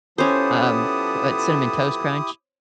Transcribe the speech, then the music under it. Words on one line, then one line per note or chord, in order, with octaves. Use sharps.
um, what Cinnamon Toast Crunch.
F3 B3 C#4 E4 G4 A4 C5 D#6